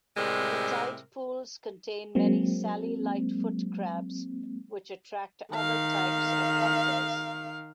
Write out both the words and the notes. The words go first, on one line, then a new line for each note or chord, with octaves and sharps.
The tide pools contain many Sally Lightfoot crabs, which attract other types of hunters.
A2 C3 G3 G#3 A#4 C5
F#3 G#3 A#3 C4
D#3 F5